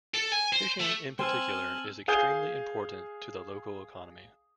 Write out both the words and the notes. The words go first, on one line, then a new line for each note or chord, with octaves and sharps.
Fishing in particular is extremely important to the local economy.
A4
G#5
C5
A3
C4 G#5 A5 E6 F6 G7
G#4 F5 G#5 D#6 G6